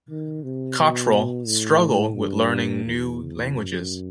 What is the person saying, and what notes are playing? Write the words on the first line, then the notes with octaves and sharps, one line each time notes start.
Cottrell struggled with learning new languages.
D#3
C3
B2
A2
G2
E2
F#2